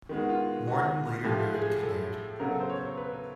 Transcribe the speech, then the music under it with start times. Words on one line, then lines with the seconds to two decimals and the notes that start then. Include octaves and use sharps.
Morton later married Kinnaird.
0.09 D#3 G#3 B3
0.18 F#4
0.29 F4
0.67 F#4
1.24 A2 F3 A3 G4
1.54 G#4
1.83 A4
2.40 C#3 F#3 B3 A#4
2.50 A4
2.60 C5
2.69 C#5
2.83 C5
2.97 B4